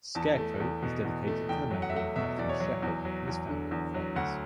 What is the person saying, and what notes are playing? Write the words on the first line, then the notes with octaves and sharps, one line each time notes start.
"Scarecrow" is dedicated to the memory of Matthew Shepard, and his family and friends.
E2 A5
A3
E2
B2
E2
A3
E2 G5
F#3
F#5
E5
A3 F#5
B2 E5
E2 D5
C#5
F#3
E2
F#3
E2
D3
E2
F#3
D2 F#5